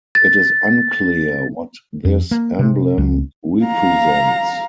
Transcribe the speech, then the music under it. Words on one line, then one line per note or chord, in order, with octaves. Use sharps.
It is unclear what this emblem represents.
A6
F2
A#3
C3
C#2
F5 A#5